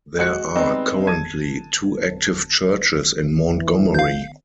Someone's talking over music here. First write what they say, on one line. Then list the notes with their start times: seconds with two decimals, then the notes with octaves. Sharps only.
There are currently two active churches in Montgomery.
0.19 G#3 F#4 F#6 C#7
0.55 G3 G#3 B3 C4 D#4
1.07 A5 G#6 D#7
3.40 E3
3.94 F5 G6